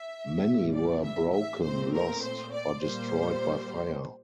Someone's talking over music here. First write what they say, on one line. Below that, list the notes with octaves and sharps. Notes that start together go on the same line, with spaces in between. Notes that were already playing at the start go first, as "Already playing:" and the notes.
Many were broken, lost, or destroyed by fire.
Already playing: E5
A2 E3 G3
D5
E5
E5
A#2 A3 C4 C5
A#4
C5
D5
A#2 G3 A#3 C5